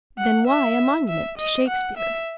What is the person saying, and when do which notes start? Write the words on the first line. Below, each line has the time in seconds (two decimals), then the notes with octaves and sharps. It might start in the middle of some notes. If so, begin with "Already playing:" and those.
Then why a monument to Shakespeare?
0.18 F#5
0.48 E5
1.08 E5
1.38 D#5
1.69 F#5
1.98 E5